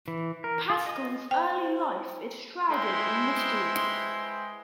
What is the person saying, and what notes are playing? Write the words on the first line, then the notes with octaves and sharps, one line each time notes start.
Pascal's early life is shrouded in mystery.
E3
A#4
F4
D#5
C5 G5
G#3 E4 B4 C5 G5 C6